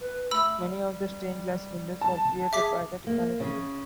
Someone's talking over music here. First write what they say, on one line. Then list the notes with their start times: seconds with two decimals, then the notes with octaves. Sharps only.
Many of the stained glass windows were created by the Tiffany Company.
0.01 B4
0.31 A3 B5 E6
0.60 G3
2.01 A5
2.53 G#4 E5 D6 B6
3.07 A#3
3.40 C#3